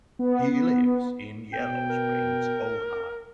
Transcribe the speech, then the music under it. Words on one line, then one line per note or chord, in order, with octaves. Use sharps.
He lives in Yellow Springs, Ohio.
B3
B2 G5
A#4